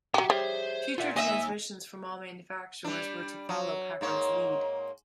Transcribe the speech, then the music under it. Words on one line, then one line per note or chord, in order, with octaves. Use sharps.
Future transmissions from all manufacturers were to follow Packard's lead.
F#3 G4 E5 A#5
G3 G#4 C5 C#5 E5
A#2 F4 E5 F#5
D#3 A#3 D#5 E5 G#5
G3 D4
F#3
G#2 A#3 C#5